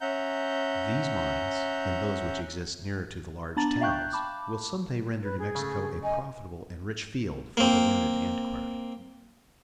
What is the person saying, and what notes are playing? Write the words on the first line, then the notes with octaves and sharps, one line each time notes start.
These mines, and those which exist nearer to the large towns, will some day render New Mexico a profitable and rich field for the learned antiquary.
C#4 E5 F#5 A#5 G6
B3 D4 A5 A#5 A6 F#7
E5 F5 G5 C#6 F#6 G6
A5 B5 D6
B4
G#4
C#3 A3
D#5 G#5
A#3 C4